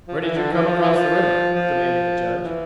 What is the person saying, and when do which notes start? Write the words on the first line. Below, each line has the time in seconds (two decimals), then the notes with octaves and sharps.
"Where did you come across the river?" demanded the Judge.
0.08 F3
0.23 E3
0.36 D3
0.52 E3
0.66 F3
0.82 E3
0.96 F3
1.55 F3
2.44 E3